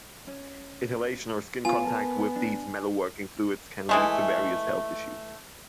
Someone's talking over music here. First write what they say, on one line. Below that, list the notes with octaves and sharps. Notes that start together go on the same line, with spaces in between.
Inhalation or skin contact with these metalworking fluids can lead to various health issues.
C#4
B3 F4 G#5
A#4 A5
D4
E3 G#3 A3